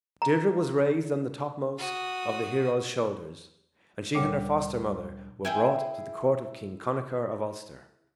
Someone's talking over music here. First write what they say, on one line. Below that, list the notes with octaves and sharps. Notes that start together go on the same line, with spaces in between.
Deirdre was raised on the topmost of the heroes' shoulders and she and her foster-mother were brought to the Court of King Connachar of Ulster.
A#5
F#4 D#6
D2 A#2 G3 D4 C#5
E4 G#4 G5 G#5